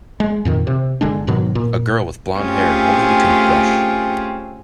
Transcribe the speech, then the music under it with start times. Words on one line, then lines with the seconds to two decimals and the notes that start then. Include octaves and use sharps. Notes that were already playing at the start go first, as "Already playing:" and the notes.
A girl with blondhair holding a toothbrush.
0.20 G#3
0.45 F2 A#2 D#3
0.67 C3
1.01 G1 D3 G#3 D4
1.27 G#2 B2 D#3 F#3
1.55 A#2
2.37 A3 C4 C#4 F4 G4 G#4